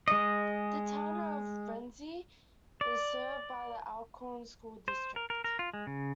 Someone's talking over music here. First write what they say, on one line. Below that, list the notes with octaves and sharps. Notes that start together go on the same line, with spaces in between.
The town of Rienzi is served by the Alcorn School District.
G#3 D#5
D5
C5
A#4
A#4
A#4
F4
G#3
C#3